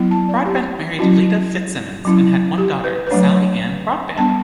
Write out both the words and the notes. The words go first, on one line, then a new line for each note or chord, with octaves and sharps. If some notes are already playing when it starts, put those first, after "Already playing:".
Broadbent married Leda Fitzimmons and had one daughter, Sally Ann Broadbent.
Already playing: F#3 B3 E4
A5
D5
G4
F#3 C#4 E4 F#4
F#3 C#4 E4
G4
B4
B4
F#3 A3 D4 C#5
G3 B3 D4 A5